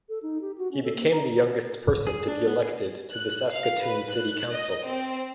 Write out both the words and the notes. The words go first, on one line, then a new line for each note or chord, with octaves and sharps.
He became the youngest person to be elected to the Saskatoon City Council.
A4
D#4
G4
F#4
C#4
A4
A#3
A#5
G#4
D4
B3
G#4
F#6
F5
B4
F#6
D#5
C4